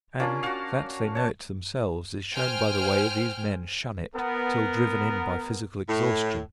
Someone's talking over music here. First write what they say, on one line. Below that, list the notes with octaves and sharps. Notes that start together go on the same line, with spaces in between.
And that they know it themselves is shown by the way these men shun it till driven in by physical exhaustion.
A#3 C#4 D4 F4
F#4 F5
C#5 A5
C5 G5 G#5 F6
B3 A#4
A2